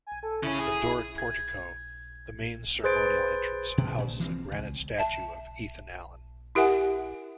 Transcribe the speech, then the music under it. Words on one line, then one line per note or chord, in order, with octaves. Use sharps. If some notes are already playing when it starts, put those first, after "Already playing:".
The Doric portico, the main ceremonial entrance, houses a granite statue of Ethan Allen.
G#5
A4
C#3 C#4 E4
G#4
E4
G#6
G#4 B4 C5 C6 A6 D7
B2
A#2
E3 F3 A#3 C4
C#2
E5 A5
E4 G4 A#4 E5 F#5 G#5